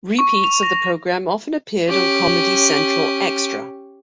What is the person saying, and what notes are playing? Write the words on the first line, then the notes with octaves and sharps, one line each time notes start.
Repeats of the programme often appeared on Comedy Central Extra.
C#6
F7
A#6
C#4 G4